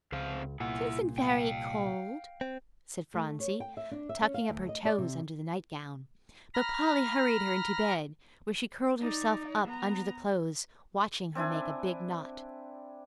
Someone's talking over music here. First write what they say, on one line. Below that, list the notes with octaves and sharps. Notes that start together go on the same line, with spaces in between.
"Tisn't very cold," said Phronsie, tucking up her toes under the night-gown, but Polly hurried her into bed, where she curled herself up under the clothes, watching her make a big knot.
C#2 C3 C5 F5
C2 A#2 E4 F#5
F5 G5
C4
A3
C#5
G5
E5
D4
E5
C#4
F5
D2
D#5
D5
C3
A#5 B5 F6 A#6
D#4 D5
B3 A#5
C4 D4 E4 G#5